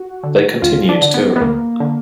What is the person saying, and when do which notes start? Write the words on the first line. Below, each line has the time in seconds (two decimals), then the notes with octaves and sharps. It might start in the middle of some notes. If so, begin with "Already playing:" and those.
They continued touring.
Already playing: F#4
0.23 D3
0.62 D2 F4
0.89 D4
1.02 D3
1.14 B3
1.36 B3
1.41 D2 A#3
1.80 D3